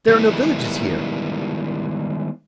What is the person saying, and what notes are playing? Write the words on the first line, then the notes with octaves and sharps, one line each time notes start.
There are no villages here?
D#3 G3 G#3 A#3 B3 E4